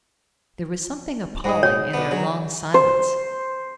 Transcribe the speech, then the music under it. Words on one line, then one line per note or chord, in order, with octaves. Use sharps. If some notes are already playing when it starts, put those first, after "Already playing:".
There was something appalling in their long silence.
G#2 F#4 G#4 D#5
C#5
B1 B3 D4
F#3 G#4 A#4
C5